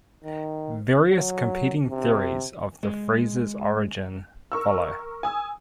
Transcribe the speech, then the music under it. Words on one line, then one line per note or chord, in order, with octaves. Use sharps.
Various competing theories of the phrase's origin follow.
D#3
F#3
C3
G#3
A#4 C#6 E6
G#5 D#6 E6